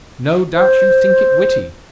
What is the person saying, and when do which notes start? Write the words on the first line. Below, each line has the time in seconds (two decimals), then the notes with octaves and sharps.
No doubt you think it witty!
0.55 C5